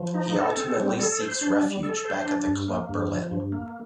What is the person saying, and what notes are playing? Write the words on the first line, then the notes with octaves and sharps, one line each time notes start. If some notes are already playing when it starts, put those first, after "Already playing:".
He ultimately seeks refuge back at the Club Berlin.
Already playing: F3
D#4
A4
C4
G3
A4
C5
D4
G3
A4
C5
D4
G2
A#3
G2
F3
G2
A#3